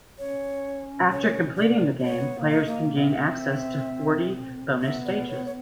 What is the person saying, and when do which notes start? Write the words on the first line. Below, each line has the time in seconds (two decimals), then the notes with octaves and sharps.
After completing the game, players can gain access to forty bonus stages.
0.19 C#4 C#5
1.12 C#5
1.57 D5
2.00 D5
2.04 B3 C#5
2.35 B3
2.40 A#3
2.51 D#5
2.65 A#3
2.97 C4 E5
4.82 B3 E5
5.05 D5
5.29 C#5
5.46 C#5